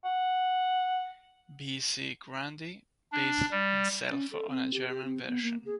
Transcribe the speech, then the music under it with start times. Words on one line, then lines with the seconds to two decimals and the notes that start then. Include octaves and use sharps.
B. C. Grundy, based itself on a German version.
0.05 F#5
3.12 D4
3.51 G3
4.11 C#4
4.32 A4
4.50 C4
4.74 G4
4.88 G4
5.04 C4
5.27 B3
5.42 A#3
5.66 G#4